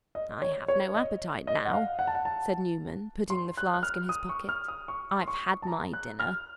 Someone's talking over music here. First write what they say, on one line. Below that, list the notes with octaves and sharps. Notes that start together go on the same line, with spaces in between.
'I have no appetite now,' said Newman, putting the flask in his pocket. 'I've had MY dinner.'
D#5
C#5
C#5
D#5
D#5
F#5
F5
F#5
A5
F#5
A5
C6
F#6
F#6
F6
D#6
C#6
F6
D#6
C#6
C6
C#6
A5
A#5
F#6
F6